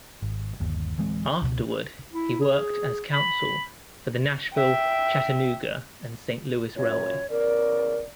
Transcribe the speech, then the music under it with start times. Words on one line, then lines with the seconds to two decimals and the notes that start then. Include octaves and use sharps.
Afterward, he worked as counsel for the Nashville, Chattanooga and Saint Louis Railway.
0.22 G#1
0.60 G1 D#2
0.98 D1 E3 G#3 C4
1.42 C#2 B2
2.13 E4
2.40 G#4
3.13 B5
4.54 E5 G5
6.76 F#2 A#2 C#5
7.30 E2 C#3 A#4 D5